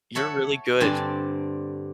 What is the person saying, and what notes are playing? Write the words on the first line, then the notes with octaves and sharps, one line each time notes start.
You're really good.
A4 C#5 E5 F#5
G2 D3 C4 D5 G#5 A5